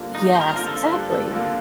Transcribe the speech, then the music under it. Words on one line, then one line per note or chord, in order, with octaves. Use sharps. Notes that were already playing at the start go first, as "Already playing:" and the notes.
Yes, exactly.
Already playing: G2 D3 F3 A#3 F4
G2 D#4
C5
A#4
D3 F3 A#3 F4 A#4
A4
G2
D3 F3 A#3 F4